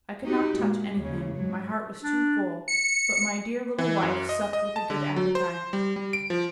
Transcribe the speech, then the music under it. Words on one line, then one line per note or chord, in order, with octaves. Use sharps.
I could not touch anything, my heart was too full, but my dear little wife supped with a good appetite.
D#4 F#4 G4
A#2 G#3
D#2 C#3
G#2 F#3 G#3
D4
C#7
E3
F#2
D#5
D#5
A5
D3
F#3
C5
G3
G3
D7
F3